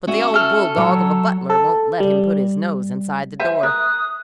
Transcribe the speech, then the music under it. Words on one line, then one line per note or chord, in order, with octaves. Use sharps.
But the old bulldog of a butler won't let him put his nose inside the door.
C#4 F#4 E5
A4 F6
F#3 C#5
A4
G3
C5 E5 G#5
A#4 D#6 F#6